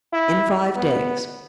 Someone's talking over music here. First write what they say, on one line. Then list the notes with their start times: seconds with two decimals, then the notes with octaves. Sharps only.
"In five days."
0.13 E4
0.76 B3